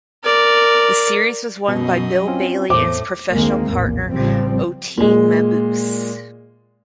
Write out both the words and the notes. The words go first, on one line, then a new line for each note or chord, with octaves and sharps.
The series was won by Bill Bailey and his professional partner Oti Mabuse.
A#4 D5
F#2 B2 F#3 D#5
C4 C#4 F4
E2 A2 C5 D6
D2 D#3 G#3 A#3 C4
A#1 E2 A2
A1 C#3 F3 G3 C4
A#2 G#3